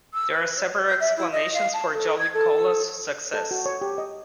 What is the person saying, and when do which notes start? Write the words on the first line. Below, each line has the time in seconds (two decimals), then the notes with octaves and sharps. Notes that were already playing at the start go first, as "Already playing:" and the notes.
There are several explanations for Jolly Cola's success.
0.13 E6
0.32 B4
0.56 C#5
0.85 G6
1.00 E5
1.16 E4
1.32 D#5
1.53 F5
1.73 A5
1.92 A4
2.18 G#6
2.33 A4
3.34 A4
3.51 F#4
3.66 C#5
3.81 G4
3.98 D#5